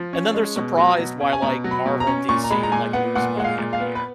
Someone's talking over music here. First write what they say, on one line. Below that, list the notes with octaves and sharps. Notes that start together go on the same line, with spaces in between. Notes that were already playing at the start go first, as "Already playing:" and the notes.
and then they're surprised why, like, Marvel and DC, like, lose money every year.
Already playing: F3
C#4
G#3
B2
F#3
B2
C#4
G#5
B2 A#5
F#3
B5
B2
A#5
C#4
A#2 C#6
A#5
G#3 B5
A#5
A#2 G#5
B3 F#5
A#2 F#5
G#3 F#5
F5
A#2
F5
B3
B4